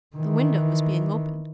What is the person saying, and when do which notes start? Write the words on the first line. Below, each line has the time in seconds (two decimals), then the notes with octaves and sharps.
The window was being opened.
0.16 D#3 E3